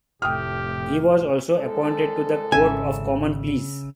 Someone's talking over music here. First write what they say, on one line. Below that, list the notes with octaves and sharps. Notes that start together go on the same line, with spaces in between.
He was also appointed to the Court of Common Pleas.
F1 A2 A3 G4 G5 D#6 F6
C2 G#3 A4
G#1 C#3 C#4 E5 G#5